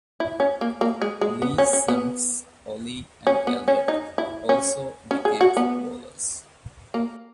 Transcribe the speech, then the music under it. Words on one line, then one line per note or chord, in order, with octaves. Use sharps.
Lee's sons, Olly and Elliot, also became footballers.
E4
C#4
A#3
A#3
G#3
G#3
B3
C#4
C#4
B3
C#4
B3
C#4
D#4
E4
C#4
C#4
G#4
F#4
B3
A#3